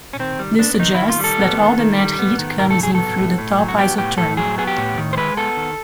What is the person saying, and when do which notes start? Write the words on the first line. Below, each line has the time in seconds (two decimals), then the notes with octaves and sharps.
This suggests that all the net heat comes in through the top isotherm.
0.13 C#4
0.19 D#3 C4
0.39 G3
0.59 B3 D4
0.74 D4
0.79 D#3 D#4
0.95 D#3 E4
1.10 F4
1.20 G3 A4
1.39 B3
1.59 D#3
1.79 D#3
1.98 G3
2.19 B3
2.38 D#3
2.59 A2 A#4
2.70 A4
2.79 F#3 G#4
2.95 B3 A4
3.18 A2
3.38 A2
3.58 F#3
3.69 F#4
3.78 B3 G4
3.98 A2 G4
4.17 A2 A4
4.37 F#3 G#4
4.58 B3 G#4
4.67 G4
4.77 A2
4.98 D#3
5.13 C5
5.17 G#3 B4
5.37 B3 A4
5.57 D#3